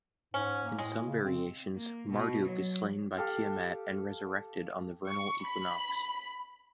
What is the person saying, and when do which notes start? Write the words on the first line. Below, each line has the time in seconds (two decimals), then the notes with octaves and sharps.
In some variations, Marduk is slain by Tiamat and resurrected on the vernal equinox.
0.34 G#2 C#4
0.64 A#3
0.78 A2 G#3
1.05 C#3
1.25 C4
1.75 A#3
2.10 B2
2.46 F#3
3.17 G4 A4 F5
5.09 C#6
5.44 B5